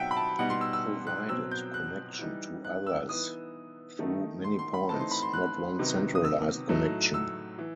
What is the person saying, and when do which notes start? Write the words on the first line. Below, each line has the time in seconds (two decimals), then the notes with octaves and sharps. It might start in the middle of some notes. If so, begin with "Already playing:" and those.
It provided connection to others through many points, not one centralized connection.
Already playing: B2 F#3 C4 D#4 E5 F#5 G5
0.11 B5
0.17 A5
0.39 B2 G3 D#4 F#5
0.50 C6
0.61 E6
0.73 E6
1.07 F#6
1.29 B2 F#3 C4 E6
1.51 G6
1.74 F#6
2.19 E3 G3 D#4
2.64 F#6
2.87 E6
3.09 E3 B3 D#4 D#6
3.99 D#3 A3 D#4
4.44 C6
4.59 C6
4.74 B5
4.89 E3 A3 C4 D#4 A5
5.00 C6
5.11 B5
5.22 C6
5.33 F#6
5.79 C3 D#3 F#3 B3 D#4
6.15 D#6
6.24 E6
6.69 A2 F#3 A3 D#4
7.14 E6
7.58 E3